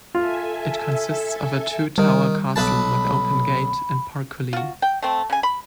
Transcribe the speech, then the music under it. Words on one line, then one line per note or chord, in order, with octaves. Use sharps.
It consists of a two tower castle with open gate and portcullis.
F4 A4 E5 G#5
D#3 G3
B1 B4 A5 B5
F4 F#4
G5
A3 C4
C#3 G#5
B5